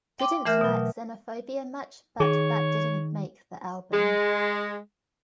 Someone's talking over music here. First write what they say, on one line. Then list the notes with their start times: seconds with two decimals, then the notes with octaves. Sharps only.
Didn't like Xenophobia much but that didn't make the album.
0.20 G5 C6 D6
0.46 E3 A3 A#4 E5 F6 G6
0.61 B2 F#3
2.20 D#3 G#4 C#5
3.93 G#3